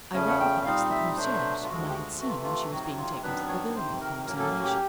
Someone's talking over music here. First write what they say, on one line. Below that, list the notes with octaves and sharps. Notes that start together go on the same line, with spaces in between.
I recognised the concierge, whom I had seen when she was being taken to the pavilion for examination.
E2 C#3 F3 A3 C#4 G#5
F#5
G5
A#2 G3 C4 D#4 F5
E5
B2 F#3 A3 D4 C5
F4
D2 D3 F3 G#3 F#4
G4
F#4
C3 E3 A3 F#4
F4
F4
F2 C3 D#3 F#3 F#4
F4
F#2 D#3 F#3 B3 D4 B4
C#5
F2 C3 D#3 C5
A#4
A2 F#3 A#3 C#4 A#4
A4
F#4
G4